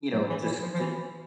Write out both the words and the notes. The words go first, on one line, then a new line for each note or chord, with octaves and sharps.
you know, just ju
F#3
E3
E3
F3
F3
E3